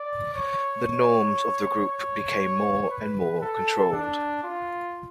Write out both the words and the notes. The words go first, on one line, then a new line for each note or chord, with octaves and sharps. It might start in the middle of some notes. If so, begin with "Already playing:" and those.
The norms of the group became more and more controlled.
Already playing: D5
C#5
C#5
C#5
B4
A4
D4
F4